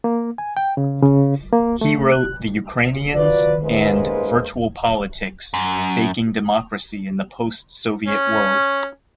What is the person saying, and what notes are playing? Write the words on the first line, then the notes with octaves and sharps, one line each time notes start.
He wrote "The Ukrainians" and "Virtual Politics: Faking Democracy in the Post-Soviet World".
A#3
G#5
G5
C#3
C#3
A#3
A3
F#6
F3 F#3 B4 D5
E2 G2 G#3 A#3 B4 C5
F#2
C#4